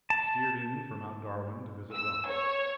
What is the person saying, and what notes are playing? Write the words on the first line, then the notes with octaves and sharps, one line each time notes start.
Steered in for Mt. Darwin to visit rock.
A5
E6
C#5